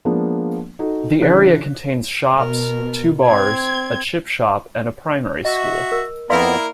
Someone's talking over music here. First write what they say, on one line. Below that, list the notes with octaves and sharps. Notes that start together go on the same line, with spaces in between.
The area contains shops, two bars, a chip shop and a primary school.
F3 G#3 A#3 B3 D4
D#4 F#4 A4
C#3 E3 D4 F#6 B6
B2 A#4
C4 G#6
F#4 D#5 E5
A#4
F2 A#3 B3 E4 A#4 D5 F5 C6